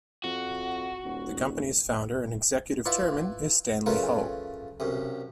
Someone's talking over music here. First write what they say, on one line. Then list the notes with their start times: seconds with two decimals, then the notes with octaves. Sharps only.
The company's founder and executive chairman is Stanley Ho.
0.24 F2 F#4
1.04 D#1
2.85 E4 F4 B4 D5 E5 F#5
3.86 C#3 F#3 A3 F4 A#4 B4
4.80 B1 F#2 C3